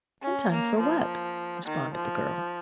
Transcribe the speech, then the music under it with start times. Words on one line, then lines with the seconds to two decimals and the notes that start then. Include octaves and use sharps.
"In time for what?" responded the girl.
0.22 C#4
0.51 A#3
0.79 F3
1.66 D#3
1.95 F3